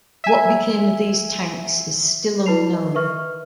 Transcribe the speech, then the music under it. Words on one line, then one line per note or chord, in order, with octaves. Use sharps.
What became of these tanks is still unknown.
E5 G#5
E4 B4 A5 B5 C7 F7
D#5
A#4 B4 E5 C#6 F6